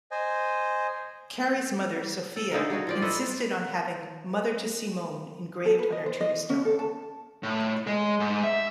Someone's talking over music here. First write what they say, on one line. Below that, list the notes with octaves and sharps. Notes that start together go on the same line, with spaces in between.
Carrie's mother, Sophia, insisted on having "mother to Simone" engraved on her tombstone.
C5 D#5 G#5
A4
D3 D#4 A4 A#4
D#4 F#4 G#4
F3 F4 D5
E4 A4 B4 D#5
A4
B4
D#5
C5
D#5
C#4
A4
A5
A2
G#3
G#2
E5